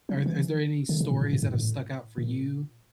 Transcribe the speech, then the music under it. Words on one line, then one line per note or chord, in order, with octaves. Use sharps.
Are is there any stories that have stuck out for you
F#3
E3
D3
C#3
A#2
A2
A2
G#2
A2
A#2